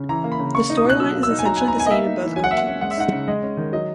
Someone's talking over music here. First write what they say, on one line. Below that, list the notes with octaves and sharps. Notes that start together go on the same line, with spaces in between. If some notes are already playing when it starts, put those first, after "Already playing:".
The storyline is essentially the same in both cartoons.
Already playing: C#3
E3 A#5
A#3
B5
C#3
A#3 C#6
D#4
D#6
B2 F#6
F#3 E6
A#3
E6
D#4
G#5
F#3 A#5
B3 G#5
A#5
D#4 G#5
D#5
A#3 E5
D#4
E3
F#3 G#5
F#5
A#3 E5
F#5
C#4
G#3 F#5
E5
D#4 F#5
C#3
G#3 D#5
C#4
D#3
F#3 D#5